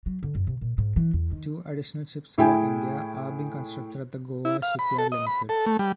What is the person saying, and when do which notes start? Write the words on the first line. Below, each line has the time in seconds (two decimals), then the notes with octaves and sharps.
Two additional ships for India are being constructed at the Goa Shipyard Limited.
0.06 F#3
0.23 D3
0.35 F#2
0.47 C3
0.61 A#2
0.78 G#2
0.96 E3
1.13 E2
1.31 D#3
2.38 A2 E4 G#4 G5 G#5
4.45 E4
4.62 F5
4.79 B5
4.98 A4
5.12 D#5
5.27 B5
5.49 A4
5.66 A3
5.79 G3